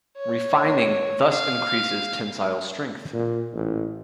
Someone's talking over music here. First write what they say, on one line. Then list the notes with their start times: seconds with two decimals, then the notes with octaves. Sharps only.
Refining thus increases tensile strength.
0.18 C#5
1.31 F5
3.13 A#2
3.53 A1